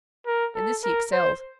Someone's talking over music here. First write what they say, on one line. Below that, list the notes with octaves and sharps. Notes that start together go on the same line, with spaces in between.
In this he excelled.
A#4
A4
A#4
C5